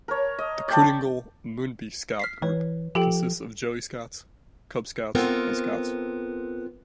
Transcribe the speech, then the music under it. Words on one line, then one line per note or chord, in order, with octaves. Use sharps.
The Kootingal-Moonbi Scout group consists of Joey Scouts, Cub Scouts and Scouts.
A#4 C#5
D#5
D5 G5 A5
F6 B6 C7
E3 B4 C#5
F3 G4 A4 G5
B3 C4 F4 A4 A#4